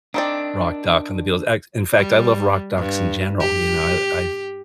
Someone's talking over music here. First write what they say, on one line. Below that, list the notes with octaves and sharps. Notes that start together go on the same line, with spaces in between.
rock doc on the Beatles a in fact I love rock docs in general, you know? I I've I
D#3 C4 D4 D5
G3
G2
G4